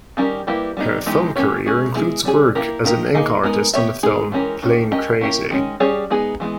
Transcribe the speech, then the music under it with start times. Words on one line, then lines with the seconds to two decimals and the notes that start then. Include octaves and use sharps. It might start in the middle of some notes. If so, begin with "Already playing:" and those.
Her film career includes work as an ink artist on the film "Plane Crazy".
0.17 D#3 G3 C#4 G4 A#4
0.47 G3 A#3 E4 G4 B4
0.77 G3 B3 D#4
1.06 E3 G#3 B3 D#4 G4
1.36 A#3 C#4 G4 C#5
1.66 G#3 C#4 G#4
1.95 G#3 B3 E4 G#4
2.25 G3 C#4 G#4
2.55 A#3 E4 G4 A#4
2.84 D#3 A#3 D#4 G4 A#4
3.14 A#3 D#4 G#4 D#5
3.43 G#3 B3 D#4 A#4
3.74 B3 G4 C#5 E5
4.03 G#3 B3 D#4 G#4
4.32 E3 G#3 C#4 G4 A#4
4.62 D#3 A#3 C#4
4.91 C#4 G4 A#4 D#5
5.21 A#3 C#4 E4 G4 A#4
5.51 D#3 G#3 C#4
5.80 G3 C#4 G#4 C#5
6.10 G#3 B3 D#4 G#4
6.40 E3 G#3 B3